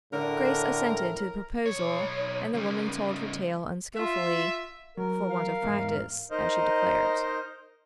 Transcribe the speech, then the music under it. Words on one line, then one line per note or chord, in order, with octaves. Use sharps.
Grace assented to the proposal, and the woman told her tale unskilfully, for want of practice, as she declared.
A2 D3 A#4
B1 C#5
C#3 G3
F4 E5
F#3 A#4
F5
E2 G#2 A#5
D#4 A#4 C5 D#5